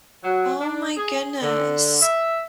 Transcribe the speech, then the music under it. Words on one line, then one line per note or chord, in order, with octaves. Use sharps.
Oh my goodness.
F#3
D4
G#4
D3
E5